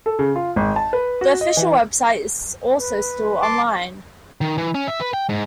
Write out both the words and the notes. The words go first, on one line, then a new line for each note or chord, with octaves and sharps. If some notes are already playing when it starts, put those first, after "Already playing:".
The official website is also still online.
A4
C#3
F4
G#1
A5
B4
F#4
D#5
E3
B4
A5 C6 D6
D#3
E3
C#4
E5
B4
G5
G#2